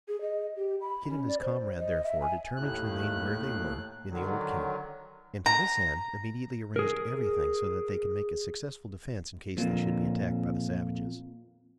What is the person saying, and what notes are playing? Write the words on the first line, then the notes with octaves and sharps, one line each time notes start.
Kit and his comrade, therefore, determined to remain where they were, in the old camp; and, to this end, immediately arranged everything so that they could make a successful defence in case they should be attacked by the savages.
G#4
D#5
G4
B5
C#4
D5
C5
D#5
E5
G#5
D#2 A2 F#6
D3 D#3 F#3
A#5
G#4 A#4
F2 A#2